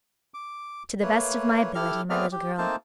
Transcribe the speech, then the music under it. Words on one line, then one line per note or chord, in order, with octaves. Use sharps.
"To the best of my ability, my little girl."
D6
A3 A#3 B4 C#5
E4 G4 A4 F6
A3 B3 C4 G#4 D5 F6
G4
A3 A#3 C4 D#4 C5 A5